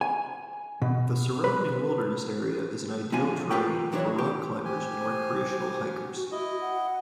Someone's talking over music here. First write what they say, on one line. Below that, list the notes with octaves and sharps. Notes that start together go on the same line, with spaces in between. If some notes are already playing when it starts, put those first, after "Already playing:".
The surrounding wilderness area is an ideal terrain for rock climbers and recreational hikers.
G#5
B2
B4
A2 D3 F3 G#5
F4 G4 A#4 B4 G5
E3 F#3 D4 E4 C#5
G4
G4 C5 G#5
C5
F#4
E4 D#5
F#5